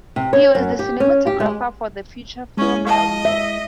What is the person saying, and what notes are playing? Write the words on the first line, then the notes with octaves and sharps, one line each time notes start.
He was the cinematographer for the feature film Diwali.
C3
C#5
F#2
G4
C#4
G4
G#3
G#3 C#4 E4
D#5 F5 A5
E5